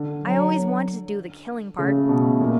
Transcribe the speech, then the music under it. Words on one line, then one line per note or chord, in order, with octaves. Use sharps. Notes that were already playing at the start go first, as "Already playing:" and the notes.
I always wanted to do the killing part.
Already playing: D3
F#3
C#3 A3
B2
A#2